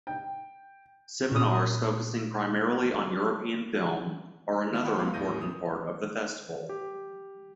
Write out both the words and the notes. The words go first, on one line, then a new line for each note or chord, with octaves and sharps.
Seminars focusing primarily on European film are another important part of the festival.
G5
A#2 D#6
D#3 B3 E4 A5
C5 C#5 F#5 G5 B5
C2 G#3 B3 F5 B5 C6
E2 A2 E4 G6 A#6 D#7
E2 E3 D#6
G4